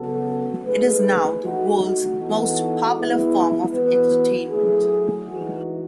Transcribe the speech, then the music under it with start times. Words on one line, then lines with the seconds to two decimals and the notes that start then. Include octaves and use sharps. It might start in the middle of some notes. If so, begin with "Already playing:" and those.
It is now the world's most popular form of entertainment.
Already playing: C#3 F#3 B3 F#4 A4
0.64 A3 D#4 G#4 B4
1.41 A3 D#4 F#4
2.17 E3 B3 D#4 F#4 A4
2.95 G#3 B3 E4
3.71 E3 B3 F#4 B4
4.49 F#3 A3 E4 G#4
5.25 E3 G#3 D#4 F#4